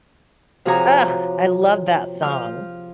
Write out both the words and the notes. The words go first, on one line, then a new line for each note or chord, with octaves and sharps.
Ugh! I love that song.
C3 F3 F#4 G#4 C#5 A#5
F3 F6